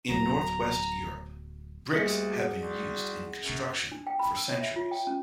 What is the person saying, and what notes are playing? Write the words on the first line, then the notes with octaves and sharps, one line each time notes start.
In Northwest Europe, bricks have been used in construction for centuries.
D1 F#3 B3 A#5
D2 G3 G4 G#4 C#7
F#4 F#5
C2
F#2
D4
G5
B5
E6
C#5
E5
F4
G5
C#4